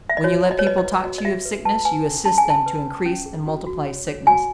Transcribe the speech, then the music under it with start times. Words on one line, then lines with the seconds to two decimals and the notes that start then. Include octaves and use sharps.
When you let people talk to you of sickness, you assist them to increase and multiply sickness.
0.10 E5
0.17 D#5
0.24 F#4 C#5
0.45 F#4
0.51 D#5
0.59 C#5
0.64 B4 D#5
0.78 D#5
0.85 B4
1.05 F#4 D#5
1.18 D#5
1.25 F#4 E5
1.45 B4
1.65 B4 A5
1.85 B4 G#5
2.06 C#4
2.25 C#4 A5
2.38 G#5
2.45 G#4 A5
2.66 B4
2.86 C#4
3.06 C#4
3.26 G#4
3.46 F#4
3.66 F#4
3.87 C#5
4.07 C#5
4.27 F#4 G#5